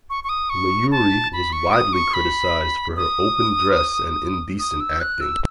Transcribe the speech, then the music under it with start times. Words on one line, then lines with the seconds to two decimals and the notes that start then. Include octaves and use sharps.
Mayuri was widely criticized for her open dress and indecent acting.
0.10 C#6
0.24 C#6
0.29 D#6
0.50 C#6
0.91 A5
1.33 B5
1.52 C#6
1.73 D#6
1.93 C#6
2.14 B5
2.96 D#6
4.59 D#6
4.80 E6
5.00 F#6
5.21 E6